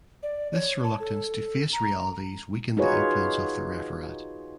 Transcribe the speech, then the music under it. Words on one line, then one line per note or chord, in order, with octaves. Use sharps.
This reluctance to face realities weakened the influence of the Referat.
D5
C#5
A5
A4
A#5
D#4 F4 F#4 G#4 B4 C#5